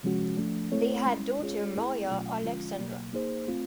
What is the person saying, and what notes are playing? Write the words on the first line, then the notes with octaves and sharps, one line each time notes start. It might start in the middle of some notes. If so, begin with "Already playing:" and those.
They had daughter Maria-Alexandra.
C3 F3 G#3 C#4 F#4
F3 A3 D4
A3 C4 E4 A4 C#5
G#3 C#4 E4
G#3 C#4 F4 G#4 C#5
A3 C4 E4 G#4
B2 F#3 A3 C#4 F4
D3 F3 G#3 C#4 F4
B2 F#3 A#3
A#3 D#4 G#4 C5
A3 C4 F4